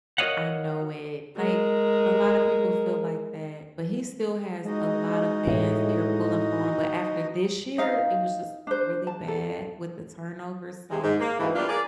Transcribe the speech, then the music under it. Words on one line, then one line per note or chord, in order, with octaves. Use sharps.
I know it. Like, a lotta people feel like that, but he still has a lot of fans here pulling for him, but after this year, it was just really bad with the turnovers, so
F#4 A#4 C#5 D#5 F5 F#5
G#3 A#4
G#3 D#4 F#4 D#5
A2
D#4 F5
D4 C5
A5
A4
C3 G#3
G#2
A#3
D2 G#2 E3
G3 A#3 B3 D4 F4
G#4 A#4 D5